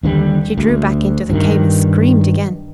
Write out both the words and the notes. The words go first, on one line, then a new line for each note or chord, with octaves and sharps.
She drew back into the cave and screamed again.
D#2 D3 D#3 G3
D2
G2 D#3